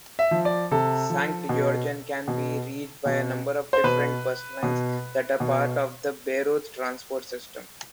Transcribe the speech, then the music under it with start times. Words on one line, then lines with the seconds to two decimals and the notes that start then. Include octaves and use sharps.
Sankt Georgen can be reached by a number of different bus lines that are part of the Bayreuth transport system.
0.19 E5
0.31 F3
0.45 D5
0.71 C3 A4
1.10 F3
1.49 B2
2.28 B2
3.06 B2
3.73 C5
3.84 B2 B4
4.63 B2
5.40 B2